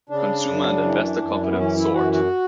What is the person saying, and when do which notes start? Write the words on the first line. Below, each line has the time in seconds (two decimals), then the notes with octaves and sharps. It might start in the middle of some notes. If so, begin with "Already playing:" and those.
Consumer and investor confidence soared.
0.09 C#3 D4
0.47 F#2
0.83 E3
1.21 F#2
1.50 B3
1.58 E3 C#4
1.77 E4
1.94 F#2 F#4
2.13 F#4